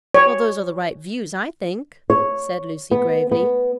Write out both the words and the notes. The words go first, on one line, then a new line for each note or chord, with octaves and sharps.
"Well, those are the right views, I think," said Lucy, gravely.
C#5
C#5
B3
B3